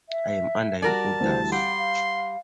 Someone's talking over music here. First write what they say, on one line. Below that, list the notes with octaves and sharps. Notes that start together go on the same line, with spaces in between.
I'm under your orders.
E5
G3 F#4 A#4 D5 A5
D2 E3 G3 C5
G3 F5 F#5 C6
F5